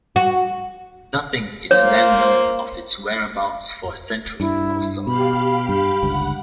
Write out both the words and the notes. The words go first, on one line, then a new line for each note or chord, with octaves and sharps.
Nothing is then known of its whereabouts for a century or so.
F#4
A#3 F4 C5 C#5
G2 E4
B2 G4 F5 B5
G2 B5
G1 C#2 G2 F#5